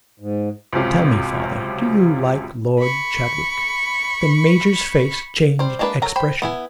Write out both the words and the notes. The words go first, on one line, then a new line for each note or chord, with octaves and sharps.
'Tell me, father, do you like Lord Chadwick?' The Major's face changed expression.
G#2
C#2 F#2 C3 F4
B5 C#6
G3 C5
G#3 A#3 D4 G#4 B4
F#3 A4 A#4 A#5
C5 G5 B5
B3 E4 G#5